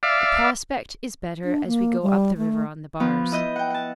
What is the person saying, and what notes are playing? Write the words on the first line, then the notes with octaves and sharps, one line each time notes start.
The prospect is better as we go up the river on the bars.
D5 E5 F5
D4
A#3
G3
A3
F3 B3
E4 D#5 G6
F#5 G5
F#5 A5